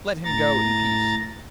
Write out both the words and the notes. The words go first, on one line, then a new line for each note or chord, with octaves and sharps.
Let him go in peace.'
A2 A#5 A6